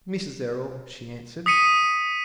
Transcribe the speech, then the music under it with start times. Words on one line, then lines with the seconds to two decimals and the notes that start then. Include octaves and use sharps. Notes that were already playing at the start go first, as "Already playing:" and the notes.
"Mrs. Errol," she answered.
1.46 D#6 B6 C#7 D#7